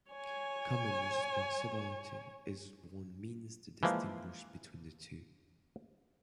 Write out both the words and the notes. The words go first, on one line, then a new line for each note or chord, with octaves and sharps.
Command responsibility is one means to distinguish between the two.
C#5 G#5
E3 F3 G#3 A#3